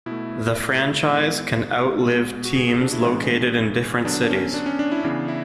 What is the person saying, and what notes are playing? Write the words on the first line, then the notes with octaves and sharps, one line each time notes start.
The franchise can out-live teams located in different cities.
B2 E4
A3
A2 G#3 B3
B2 G#3 B3
F#4
G#4
G#4
D4
E4
A2 E3 G#3 B3 D4
D3 F#3 B3 D4
C#4
D4
C#4
D4
E4
C#3 E3 B3 D4
E4